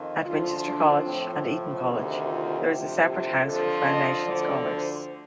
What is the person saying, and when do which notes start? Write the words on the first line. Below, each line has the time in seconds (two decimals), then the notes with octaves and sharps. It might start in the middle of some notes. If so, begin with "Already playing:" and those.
At Winchester College and Eton College, there is a separate house for foundation scholars.
Already playing: F2 D#3
0.25 D2 D3 F3 F4
0.65 D4
1.05 A2 F3 C4
1.85 D2 C3 D#3
2.26 F4
2.65 D2 C3 F3 G4
3.06 G4
3.45 F2 D3 F3 A4
3.85 D#5
4.26 D2 D3 F3 D5
4.65 C5